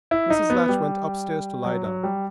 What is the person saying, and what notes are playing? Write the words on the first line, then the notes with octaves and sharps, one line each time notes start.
Mrs. Latch went upstairs to lie down.
E4
D#4
B3
G3
F#3
F#3
G3